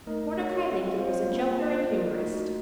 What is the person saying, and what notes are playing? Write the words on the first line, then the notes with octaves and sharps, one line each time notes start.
Mordecai Lincoln was a joker and humorist.
A3 D#4 A#4 D#5
F#4 A4 C#5 F#5
C4 F4 A4 D#5 F#5
C4 F4 C5 F5
A#3 C#4 F4
F4 C5 D#5 A5
F4 A#4 D#5
A3 D#4 F#4